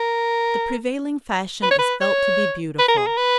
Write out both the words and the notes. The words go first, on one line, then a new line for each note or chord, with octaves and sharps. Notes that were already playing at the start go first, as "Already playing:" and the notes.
The prevailing fashion is felt to be beautiful.
Already playing: A#4
B4
C#5
B4
C#5
B4
A#4
G#4
A#4
B4